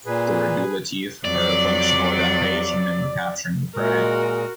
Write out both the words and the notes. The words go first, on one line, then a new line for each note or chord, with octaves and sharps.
The radula teeth are a functional adaption in the capturing of prey.
A#2 G#4 B4
F2 F#3 D5
A#2 G#3 F#4 A#4